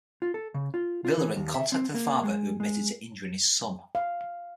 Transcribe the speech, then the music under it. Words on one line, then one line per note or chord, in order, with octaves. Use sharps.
Villarin contacted the father who admitted to injuring his son.
F4
A4
C#3
F4
F4
E3
D#2
E5
C4
A#3
G#3
G#3
F5